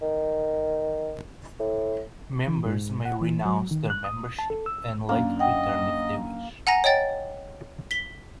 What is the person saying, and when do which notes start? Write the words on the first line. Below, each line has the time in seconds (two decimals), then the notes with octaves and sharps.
Members may renounce their membership and later return if they wish.
0.02 D#3
1.59 A2
2.47 E3
2.66 G#2
3.05 F#5
3.21 E3
3.45 F#3
3.71 D#3
3.90 F#6
4.04 D#6
4.39 A5
4.50 A4
4.66 E6
5.09 F#2 A#3 D4
5.39 D#5 F#5 G5
6.67 F#5 G#5 A#5 A#6
6.84 C#5 D#5 G5 A6
7.91 B6 G7